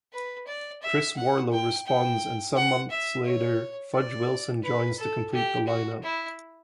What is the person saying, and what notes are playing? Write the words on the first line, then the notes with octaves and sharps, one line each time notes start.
Chris Warlow responds and some months later Fudge Wilson joins to complete the line-up.
B4
D5
E5
F#5
G5
G5
F#5
E5
C#5
D5
B4
A4
G4
F#4
E4